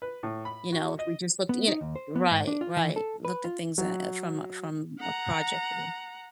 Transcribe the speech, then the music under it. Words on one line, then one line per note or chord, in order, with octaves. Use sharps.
You know, if we just looked y Right, right, looked at things, uh, uh, from from a project view.
B4
A2
B5
F#4
D#5
B3
D#4
D#2
C5
B3
G#2
D4
F4
E3
A4
B4
F4
F#3
F#5 A#5